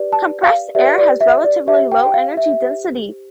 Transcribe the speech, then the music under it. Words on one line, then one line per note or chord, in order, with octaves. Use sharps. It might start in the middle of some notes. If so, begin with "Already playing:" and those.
Compressed air has relatively low energy density.
Already playing: G4 B4 D5
A5
F5
G4 B4 D5 E5
D5
E5
D5
G4 C5 E5
G5
G5
F5
E5
G4 C5